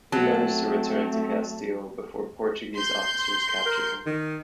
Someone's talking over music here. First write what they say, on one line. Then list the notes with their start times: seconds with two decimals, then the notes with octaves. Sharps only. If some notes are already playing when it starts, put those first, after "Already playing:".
He managed to return to Castile before Portuguese officers captured him.
0.12 F#3 A3 C4 A5
2.74 C6 G6
3.66 A#4
4.06 D#3